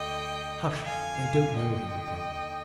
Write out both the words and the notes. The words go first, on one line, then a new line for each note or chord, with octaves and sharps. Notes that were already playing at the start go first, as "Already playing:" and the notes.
"Hush, they don't know," he replied.
Already playing: D2 D3 D#5 G5
F2 D3 F5 G#5
D#5 G5
D#2 D3